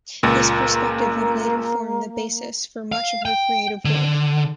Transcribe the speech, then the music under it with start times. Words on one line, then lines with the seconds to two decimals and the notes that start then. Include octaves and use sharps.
This perspective would later form the basis for much of her creative work.
0.23 C#2 A#2 A#3
2.92 F5
3.25 G5
3.85 D3